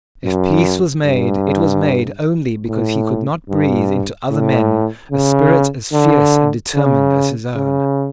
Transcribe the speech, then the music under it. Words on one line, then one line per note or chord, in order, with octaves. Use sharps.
If peace was made, it was made only because he could not breathe into other men a spirit as fierce and determined as his own.
F#2
G2
A2
G2
A2
C#3
D3
C#3
C#3